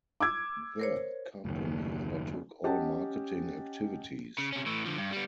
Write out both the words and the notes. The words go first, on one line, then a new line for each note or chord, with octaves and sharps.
The company undertook all marketing activities.
D6 E6 G#6
A#4 C5 C#5
F#1 D#2
C#4 G4 D#5 F#5 G5 A5
C#3
C3 C#4
A2 E3
D3 F3
G2
G3 B3